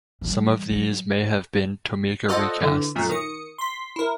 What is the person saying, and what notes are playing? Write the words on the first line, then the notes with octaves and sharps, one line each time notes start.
Some of these may have been Tomica recasts.
E3 G3
F#3
F4 A4 C5 D5 D#5 F#5
D3 E3
F#2 A#2 F#3 A3
D#3 D#6 C#7
C6 B6
E4 A#4